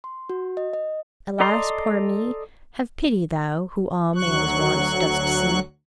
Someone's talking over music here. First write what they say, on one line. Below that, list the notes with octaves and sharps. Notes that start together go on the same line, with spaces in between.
Alas, poor me! Have pity, Thou, who all man's wants dost see.
C6
F#4
D#5
D#5
A4 D5 D#5 A#5 C6
D2 F#3 C#6 F#6